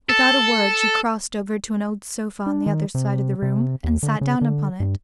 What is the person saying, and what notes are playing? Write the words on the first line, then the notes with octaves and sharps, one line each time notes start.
Without a word she crossed over to an old sofa on the other side of the room, and sat down upon it.
A4
D4
D#3
C3
C3
D#2
D3
C#3
D3
G2